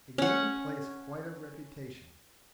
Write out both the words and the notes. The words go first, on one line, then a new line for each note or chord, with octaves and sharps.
It gained the place quite a reputation.
C#4 F#5